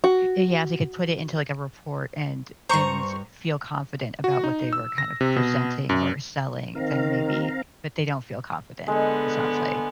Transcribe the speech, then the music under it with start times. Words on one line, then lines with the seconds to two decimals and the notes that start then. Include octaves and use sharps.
Yeah, if they could put it into, like, a report and and feel confident about what they were kind of presenting or or selling, then maybe but they don't feel confident, it sounds like.
0.04 F#4
2.69 G2 C5 A#5 C#6
4.24 F#4
4.44 D#4
4.73 E6
4.98 A#6
5.21 C3
5.36 B2
5.89 F#2
6.75 D#3 C4 F5 A#5
8.88 D3 G#3 B3